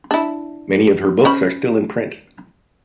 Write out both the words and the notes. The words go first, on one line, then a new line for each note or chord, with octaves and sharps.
Many of her books are still in print.
D4 E4
C#4 C5 B5